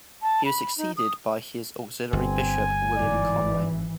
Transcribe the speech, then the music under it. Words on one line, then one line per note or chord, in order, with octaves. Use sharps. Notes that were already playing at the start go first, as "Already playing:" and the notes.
He was succeeded by his auxiliary bishop, William Conway.
A5
B5
D#4
D#6
G1 C4 G#5
G#1 E3 D5